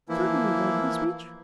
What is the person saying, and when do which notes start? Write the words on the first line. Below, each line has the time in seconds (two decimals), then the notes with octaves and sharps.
"Certainly, Lord Wisbeach."
0.09 E3 F3 A#3 E4